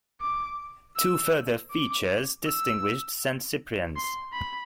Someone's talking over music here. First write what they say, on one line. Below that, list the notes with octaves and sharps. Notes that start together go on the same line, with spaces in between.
Two further features distinguished Saint Cyprian's.
D6
E6
D6
E6
C6
B5